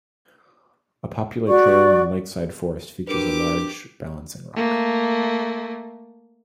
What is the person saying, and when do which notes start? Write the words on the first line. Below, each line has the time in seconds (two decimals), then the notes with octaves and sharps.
A popular trail in the lakeside forest features a large balancing rock.
1.48 F#4 D5 C#6
3.07 D4 F#4 G4 A#4 B4 D6
4.56 A3 A#3